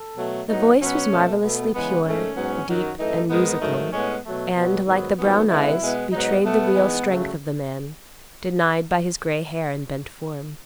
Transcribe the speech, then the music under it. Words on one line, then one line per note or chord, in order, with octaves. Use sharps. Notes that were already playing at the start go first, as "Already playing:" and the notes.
The voice was marvelously pure, deep, and musical, and, like the brown eyes, betrayed the real strength of the man, denied by his gray hair and bent form.
Already playing: A4
B2 F#3 A3
A2 F#3 B3 D#4
B2 F#3 B3 C#4
B2 A3
B2 A3 B3
C#3 E3 G#3 B3
G#2 D#3 A3 C#4
G#2 F#3 B3
F#2 D#3 F#3
F#2 E3 A3 D#4
G#2 D#3 G#3 B3 D#4
G#2 D#3 F#3 A3
A2 G#3 B3 C#4
B2 F#3 A3
B2 F#3 B3
G#2 D#3 F#3 B3
G#2 D#3 F#3 B3 C#4
C#3 G#3 B3 E4
B2 G#3 B3
G#2 F#3 B3 D#4
B2 A3 B3
G#2 E3 G#3
C#3 F#3 A3